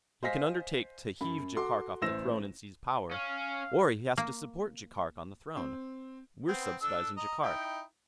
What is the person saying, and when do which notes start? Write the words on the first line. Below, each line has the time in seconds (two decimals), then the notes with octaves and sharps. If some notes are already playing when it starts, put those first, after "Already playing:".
He can undertake to heave Jaikark off the throne and seize power, or he has to support Jaikark on the throne. We're subsidizing Jaikark.
0.23 C5 D#5 F5 G#5 A#6 B6
1.21 F#2 B5
1.55 F#4 A4 C6 D6
2.02 A1 E4 C5 E6 A#6 E7
3.11 C#4 F5
4.17 A#3
5.57 C4
6.48 B3 C4 G5
6.82 D4 A4 E6
7.17 D#5 A#5
7.43 D#4 E4 G5